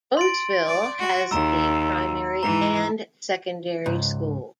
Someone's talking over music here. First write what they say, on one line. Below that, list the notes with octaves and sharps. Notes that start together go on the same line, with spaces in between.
Bosvil has a primary and secondary school.
C6 A6 D7
D5
F#4
D#2 A#5 E6
G#2 E3 A#5
C#2 G#2